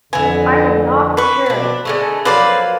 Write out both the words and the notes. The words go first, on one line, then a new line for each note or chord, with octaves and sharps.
I am not sure.
F2 D3 E3 B3 G#5
B4 C#6
B2 C4 D4
D3 G#3 A3 A4
F3 F#3 A#3 B4 C5 D5